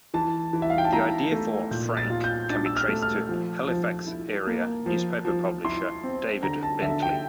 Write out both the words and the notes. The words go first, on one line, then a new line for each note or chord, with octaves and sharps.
The idea for "Frank" can be traced to Halifax-area newspaper publisher David Bentley.
E3 A5
E3
E5
F5
G5
A5
E4 A#5
A3
A#2 G6
A6
F4
G6
D4 A6
E6
F6
A3
F6
F3
F3
E4
A#3
F3
F3
E4 C6
C4
D3 A#5
A5
D3 E5
G5